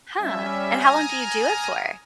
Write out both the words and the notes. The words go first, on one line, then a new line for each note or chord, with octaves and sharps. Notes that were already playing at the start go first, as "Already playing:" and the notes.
Huh, and how long do you do it for?
G3 C#4 E5
G#5 A#5 D#6 F6